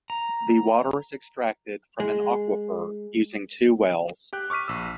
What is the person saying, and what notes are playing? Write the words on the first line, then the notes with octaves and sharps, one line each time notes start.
The water is extracted from an aquifer using two wells.
A#5
G#3
G4 G5 F#6
C#6 D6 F6 B6 D#7
A#1 E6